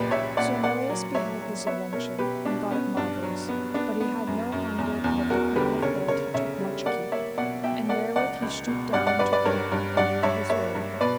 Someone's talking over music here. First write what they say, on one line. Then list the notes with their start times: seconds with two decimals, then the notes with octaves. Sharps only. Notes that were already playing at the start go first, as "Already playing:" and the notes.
Sir Melias beheld this adventure, and thought it marvellous, but he had no hunger, but of the crown of gold he took much keep; and therewith he stooped down and took it up, and rode his way with it.
Already playing: C#2 A#2 G4 B4 D5
0.11 A#2 C#5 E5
0.37 A#2 D5 F#5
0.63 A#3 D5 F#5
0.89 F#3
1.15 F#3 C#5 E5
1.41 F#3
1.67 B3 C#5 E5
1.93 B2 A#4 C#5
2.19 B2 G4 B4
2.45 B2 D4
2.71 B3 C#4
2.97 G2 D4
3.23 F#3
3.49 B3
3.74 B3 D4
4.00 B3
4.27 F#2
4.52 F#2
4.78 E2
5.04 E2
5.30 E2 F#4 A#4
5.56 D3 G4 B4
5.82 C#3 A#4 C#5
6.08 C#3 A#4 C#5
6.34 C#3 C#5 E5
6.60 G3
6.86 A#3 D5 F#5
7.12 A#3 C#5 E5
7.38 B2 D5 F#5
7.64 B2 E5 G5
7.89 A#3 D5 F#5
8.16 C#2 D5 F#5
8.42 C#2
8.68 B2
8.93 G2 D5 F#5
9.06 D5 F#5
9.19 G2 B4 D5
9.33 B4 D5
9.45 G2 A#4 C#5
9.72 G2
9.97 G2 D5 F#5
10.23 G2 C#5 E5
10.49 A#3 C#5 E5
10.75 G2
11.01 B2 B4 D5